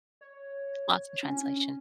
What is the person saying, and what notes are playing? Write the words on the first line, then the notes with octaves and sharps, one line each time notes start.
lots of translation.
C#5
C#4